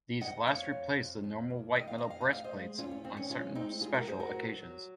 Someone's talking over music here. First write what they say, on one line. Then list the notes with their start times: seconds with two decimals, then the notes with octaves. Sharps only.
These last replaced the normal white metal breastplates on certain special occasions.
0.21 F2 D#5 F#5
0.47 F2 C#5 F5
0.72 F2
0.98 F2
1.24 F2
1.50 A#3
1.76 D#3 D#5
1.88 F5
1.98 F2 D#5
2.10 F5
2.21 D#5
2.27 F2
2.33 F5
2.44 C5 D#5
2.54 G#3
2.78 F2 C#4 F4
2.91 C#4
3.04 D#3 C4
3.17 C#4
3.30 G#3 C#4 F4
3.55 G#3 C4 D#4
3.81 G#3 F4 G#4
3.94 F#4 A#4
4.07 F2 G#4 C5
4.20 F#4 A#4
4.33 F#3
4.58 F#3